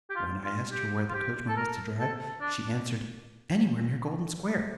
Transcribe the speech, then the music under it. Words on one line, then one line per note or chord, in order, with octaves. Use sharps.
When I asked her where the coachman was to drive, she answered, 'Anywhere near Golden Square!
G4
F4
F4
G4
F4
G4
A4
A#4
A4
D4